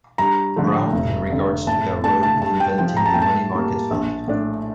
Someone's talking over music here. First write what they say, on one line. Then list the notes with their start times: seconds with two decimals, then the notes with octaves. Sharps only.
Brown in regards to their role in inventing the money market fund.
0.18 G2 A#5
0.56 D3 F3 A3
0.93 F1
1.30 F2 D3
1.67 A2 A5
2.04 A3 D4 A5
2.23 A5
2.41 G2 A5
2.60 G5
2.78 F3 C4 G5
2.97 A#5
3.06 A5
3.14 A2 G5
3.22 A5
3.53 G3 A#3
3.91 A#1
4.28 A2 A3 D4